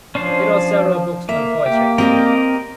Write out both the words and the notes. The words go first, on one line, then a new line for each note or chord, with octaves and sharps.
He wrote several books on poetry.
F3 C#4 D4 C5
A#3 E5
A#3 G4
C4 G4 A#4 D5 D#5